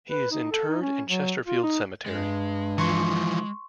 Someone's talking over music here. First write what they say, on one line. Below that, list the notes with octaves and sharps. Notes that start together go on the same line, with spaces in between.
He is interred in Chesterfield Cemetery.
B4
D#4
A4
D#4
C#4
F#3
F4
D#4
G2 G#3
E3 F3 C6 C#6